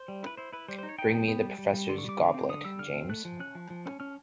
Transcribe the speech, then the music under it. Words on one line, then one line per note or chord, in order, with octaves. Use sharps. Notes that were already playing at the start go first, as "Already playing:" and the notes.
Bring me the professor's goblet, James!
Already playing: C5
G3
E4 B4
E4 C5
E4 B4
G3 C5
C5
D#4
C#5
D#4 G5
B3
B3
G3
G3
G3
D3 C6
C#6
G3 D6
D3
C4
D3 D#6
G3 E6
D3 F6
C4
A3 F#6
F3
C#4 F#6
F3
F3
C#4
C#4 F6